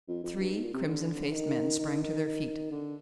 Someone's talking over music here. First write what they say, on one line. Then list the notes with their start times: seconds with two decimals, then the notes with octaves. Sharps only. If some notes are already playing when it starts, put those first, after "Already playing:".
Three crimson-faced men sprang to their feet.
0.08 F2
0.24 F2
0.40 G2
0.52 G#2
0.63 A#2
0.74 C3
0.86 D3
1.32 D#3
1.79 D#3
2.02 D#3
2.25 D#3
2.71 D3